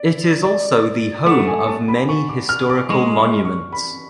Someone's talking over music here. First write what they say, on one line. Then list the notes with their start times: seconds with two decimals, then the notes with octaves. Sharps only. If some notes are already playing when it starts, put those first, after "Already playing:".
It is also the home of many historical monuments.
Already playing: D5
0.45 D5
1.26 A3 F#5
1.48 G#5
1.68 A5
1.88 B5
2.09 C#6
2.29 D6
2.49 F6
2.70 D6
2.90 G#3 C#6
3.18 C#6
3.45 C#6
3.73 B5